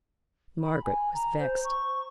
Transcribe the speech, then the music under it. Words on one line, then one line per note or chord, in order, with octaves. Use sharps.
Margaret was vexed.
B5
G#5
A#5
C5
C#6